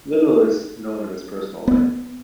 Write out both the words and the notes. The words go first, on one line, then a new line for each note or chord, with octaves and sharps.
Little is known of his personal life.
B3